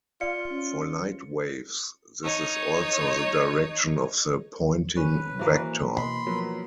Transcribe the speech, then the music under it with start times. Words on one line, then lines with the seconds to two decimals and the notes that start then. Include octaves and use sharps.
For light waves, this is also the direction of the Poynting vector.
0.21 F4 D5 F5 C#7
0.51 C#4
2.24 D#4 C#5
4.96 C#4 B4
5.39 E3 A#3 F#4 C5
5.96 B2 D#5 B5 C6
6.27 F3 F#3 B3 A#4